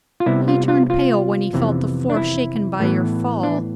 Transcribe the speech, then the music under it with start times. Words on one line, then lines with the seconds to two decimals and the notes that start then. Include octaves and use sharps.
He turned pale when he felt the floor shaken by your fall.
0.20 F4
0.26 C3 G3 B3 E4
0.48 F4
0.68 F4
0.90 F4
1.53 F2 C3 E3 B3
2.10 D4
2.16 E4
2.80 A2 E3 B3
3.43 D4